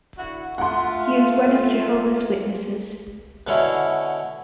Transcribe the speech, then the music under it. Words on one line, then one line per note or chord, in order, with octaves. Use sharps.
He is one of Jehovah's Witnesses.
D3 E4 F#4
A3 F4 F#5 C6
B2 D3 C#4 E4